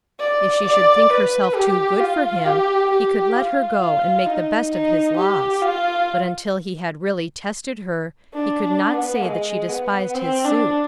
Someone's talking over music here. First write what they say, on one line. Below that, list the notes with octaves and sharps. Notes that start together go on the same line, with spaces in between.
If she should think herself too good for him, he could let her go and make the best of his loss; but until he had really tested her he could not say that she despised his suit.
D5
D5
B4
G4
F4
G4
G4
F4
F4
D#4
D#4
G4
F4
D4
D4
B3
G#3
B3
C4
D4